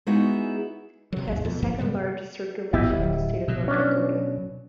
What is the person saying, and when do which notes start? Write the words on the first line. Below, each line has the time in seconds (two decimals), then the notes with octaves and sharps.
It has the second largest circulation in the state of North Dakota.
0.07 G#3 B3 D#4 E4 F#4 G#4
1.12 C3 F#3
1.27 G#1 D#2
1.45 F2 B2
1.62 G#1 G2 F3 A#3
1.78 C3 G3 G#3 B3
2.73 G#1 B3 E4 G4 D#5
2.89 D1
3.48 B2 F#3
3.68 C#4 D4